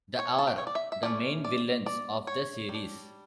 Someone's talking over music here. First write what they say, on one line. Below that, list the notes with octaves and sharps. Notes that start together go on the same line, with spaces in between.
The are the main villains of the series.
C#5
A5
G5
C#5
D5
E5
E5
E3 A3 C#4 D5
D5
D5
C#5
G3
D4